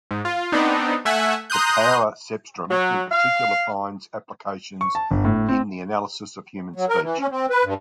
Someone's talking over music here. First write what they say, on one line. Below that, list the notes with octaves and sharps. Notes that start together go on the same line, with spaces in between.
The power cepstrum in particular finds applications in the analysis of human speech.
G#2
F4
B3 C4 D4 D#4
A3 E5 F#5 G#5
A#5 C6 D#6 F#6 G6
F#3
F5
C#6
A5
G1
A2
C4
F#3
A#4
E3
C#4
C4
B4
G2